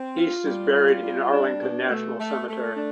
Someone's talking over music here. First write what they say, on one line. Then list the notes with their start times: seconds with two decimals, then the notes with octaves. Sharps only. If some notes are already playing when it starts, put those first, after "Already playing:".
East is buried in Arlington National Cemetery.
Already playing: C4
0.16 F4
0.44 G3
0.74 F4
1.02 G3
1.32 D4
1.61 B2
1.89 A3
2.19 A3
2.47 A3
2.76 D4